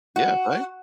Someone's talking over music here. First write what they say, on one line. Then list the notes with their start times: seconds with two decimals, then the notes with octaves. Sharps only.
Yeah, right?
0.16 F#4